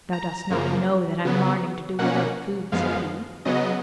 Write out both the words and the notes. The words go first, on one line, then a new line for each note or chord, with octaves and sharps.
"Thou dost not know that I'm larning to do without food," said he.
A#5
F#2 C#3 F3 A#3
C#3 F#3 B3
B2 A#3 C#4 F#5
F#2 F3 G#3 B3 F5
C#3 F#3 B3 D#5